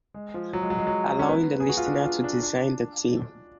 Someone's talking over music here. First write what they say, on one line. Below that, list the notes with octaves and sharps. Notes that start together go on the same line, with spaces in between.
Allowing the listener to design the theme.
G#3
F3
F#3
G#3
F#3
G#3
F#3
C#4
B3
G#4
F#4
F4
D4
F4
D4
D4